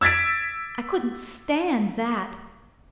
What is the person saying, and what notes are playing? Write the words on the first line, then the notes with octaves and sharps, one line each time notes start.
I couldn't stand that.
E6 G#6 A6 B6 D7